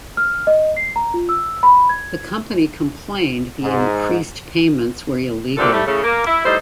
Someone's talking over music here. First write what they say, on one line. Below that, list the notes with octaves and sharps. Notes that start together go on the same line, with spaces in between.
The company complained the increased payments were illegal.
F6
D#5
C7
A#5
F4
E6
B5
G#6
G#2
D2 G2 A#2 D3 C4 A4
G3 A3
A2 C#3 A3
A#3
E4
A2 G3 D#4 A4 C5